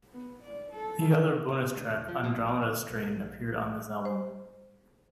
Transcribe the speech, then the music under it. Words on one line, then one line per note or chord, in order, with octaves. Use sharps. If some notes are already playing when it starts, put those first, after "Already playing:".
The other bonus track, "Andromeda Dream", appeared on this album.
B3
D5
A4
C3
B2
D2
E1
F3
B2
A#1
B2
D1
B1
C5